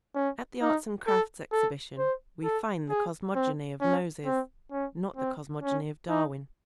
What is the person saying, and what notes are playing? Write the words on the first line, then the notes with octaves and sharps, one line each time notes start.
At the Arts and Crafts Exhibition we find the cosmogony of Moses, not the cosmogony of Darwin.
C#4
D#4
A4
A4
C5
A4
G#4
C4
C#4
C4
C#4
C4
C#4
D#4